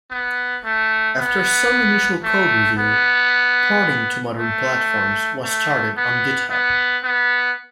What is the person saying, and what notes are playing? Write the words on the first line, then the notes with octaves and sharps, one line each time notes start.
After some initial code review porting to modern platforms was started on GitHub.
B3
A3
B3
A3
B3
A3
A3
B3
B3
B3